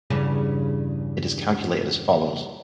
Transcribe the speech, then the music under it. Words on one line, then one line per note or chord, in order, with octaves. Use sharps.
It is calculated as follows.
E2 G2 C#3